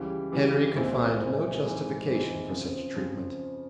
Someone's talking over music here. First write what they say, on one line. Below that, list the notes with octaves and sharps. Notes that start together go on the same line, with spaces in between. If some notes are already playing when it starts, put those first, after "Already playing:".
Henry could find no justification for such treatment.
Already playing: C#2 C#3 E3 G3
C#2 C#3 E3 G3
C2 A#2 G#3 C4 E4
C2 A#2 G#3 C4 E4
G#2 E3 G#3 C4
G#2 E3 G#3 C4
C#3 F3 C4
C#3 F3 C4